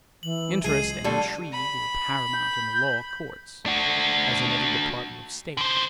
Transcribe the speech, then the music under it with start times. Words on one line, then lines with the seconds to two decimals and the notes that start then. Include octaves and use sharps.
Interest and intrigue were paramount in the law courts, as in every department of state.
0.23 E3 F#7
0.64 C#2 F#3 G#3 G#4 G#6 C7 D#7
1.04 D3 G3 A3
1.52 B5
2.33 G6
3.66 D4 F#4
5.57 D3 C5